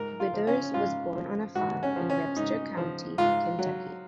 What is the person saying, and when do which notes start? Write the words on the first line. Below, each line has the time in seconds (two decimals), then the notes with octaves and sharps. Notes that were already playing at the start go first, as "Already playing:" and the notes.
Withers was born on a farm in Webster County, Kentucky.
Already playing: G#2 A#4
0.20 F4
0.34 F3
0.47 C#4
0.74 G#2 F4
1.15 F3
1.55 G#2 F#4
1.83 C#4
1.96 F3
2.10 C#4
2.36 G#2 D#4
2.77 F3
3.18 G#2 F4
3.59 F#3